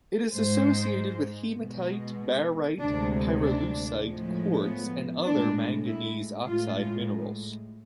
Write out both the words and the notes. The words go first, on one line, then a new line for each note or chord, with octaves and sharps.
It is associated with hematite, barite, pyrolusite, quartz and other manganese oxide minerals.
G#2 G#3 C5
B2 G#3
D2 C3 G#3 D4
D4
A2 F3 G#3
B3
A2 G#3 D4
E4
A2 G#3 F4